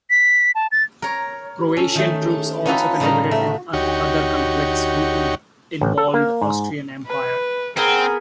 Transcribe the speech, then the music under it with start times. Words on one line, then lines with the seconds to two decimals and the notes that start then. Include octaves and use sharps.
Croatian troops also contributed in other conflicts who involved Austrian Empire.
0.10 B6
0.55 A5
0.72 A6
1.02 A#4 C#5
1.77 C#4 A4
1.95 D#3 A3
2.66 C#4 D#4 F4 F#4 A4 B4
3.00 A2 C#3 G3 D#4 A#4 A#5
3.31 A3
3.73 D2 D#4 F#4 G4 C#5
5.81 A1
5.98 A4
6.14 A#3
6.41 G#2
7.06 B4
7.77 B3 C4 G#4 A#4